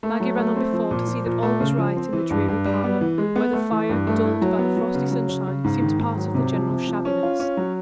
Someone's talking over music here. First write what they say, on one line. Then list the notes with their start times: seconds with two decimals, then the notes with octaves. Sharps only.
Maggie ran on before to see that all was right in the dreary parlor, where the fire, dulled by the frosty sunshine, seemed part of the general shabbiness.
0.03 A3
0.20 F#3
0.38 A3
0.56 C4
0.73 F3
0.91 A#2
1.07 F3
1.26 A#2
1.43 A3
1.60 C#3
1.77 F3
1.96 C4
2.13 E3
2.30 G2
2.48 G2
2.65 G3
2.84 B3
3.01 E3
3.18 G#3
3.36 B3
3.53 A3
3.71 E3
3.89 G2
4.07 A3
4.24 E4
4.42 F#3
4.58 B3
4.77 F#3
4.94 C#3
5.11 F#3
5.29 C#3
5.47 C#3
5.64 G#2
5.82 D#3
5.99 G#2
6.17 F#3
6.34 C3
6.52 F3
6.70 C3
6.88 F3
7.05 C#4
7.23 F4
7.40 C#4
7.57 F#3